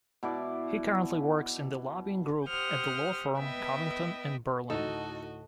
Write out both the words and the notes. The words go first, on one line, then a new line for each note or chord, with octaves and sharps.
He currently works in the lobbying group at the law firm Covington and Burling.
B2 E4 D5
G4 C5 F#5 D#6 F6 G6
B3 B4 D#5 E5 G5
D2 A2 D#4 F#4 A4 D#5